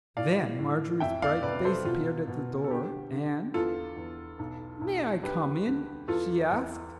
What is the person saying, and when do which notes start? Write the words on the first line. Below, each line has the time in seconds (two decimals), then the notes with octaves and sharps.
Then Marjorie's bright face appeared at the door, and, "May I come in?" she asked.
0.17 A2 D5 F5
0.59 A2
1.00 F2 E5 G5
1.22 D5 F5
1.43 C3 B4 D5
1.65 A4 C5
1.85 B2 F4
2.27 B2
2.64 A4
2.71 D3 G4
3.13 D3
3.54 E2 F4 A4
3.97 E2
4.39 B1
4.81 B1
5.24 D2 G4 B4
5.67 D2
6.08 E2 F4 A4
6.51 E2